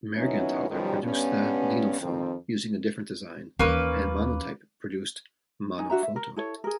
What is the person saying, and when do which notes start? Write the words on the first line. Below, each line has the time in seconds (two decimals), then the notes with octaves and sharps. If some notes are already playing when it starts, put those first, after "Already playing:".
Mergenthaler produced the Linofilm using a different design, and Monotype produced Monophoto.
0.16 D#2 F#3 B3 C#4 D#4 E4
0.70 F#2 B2 D#3 F3 G3
1.02 G2 B3 C#4
2.00 F2 D#3 C4
3.59 D#2 E3 A#3 C#4 B4
5.78 D#4 G#5
5.90 D4 F#4 E5 A#5
6.03 E5
6.16 A#4
6.36 E4 A4 C#5
6.64 G#4 A#4